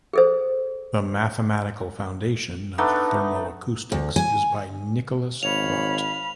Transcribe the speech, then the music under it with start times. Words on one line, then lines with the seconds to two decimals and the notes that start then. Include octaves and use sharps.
The mathematical foundation of thermoacoustics is by Nikolaus Rott.
0.13 G#4 A4 C5
2.78 A3 B3 D4 D#4
3.92 D2
4.16 G#5
5.43 G#1 C#5 F5 B5 F7